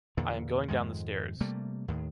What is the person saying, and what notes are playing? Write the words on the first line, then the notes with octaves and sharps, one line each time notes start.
I am going down the stairs.
E2 G2 A#2 D3
F2 G#2 D#3 G#3
C3 G3 A3 A#3
D#2 A2 D#3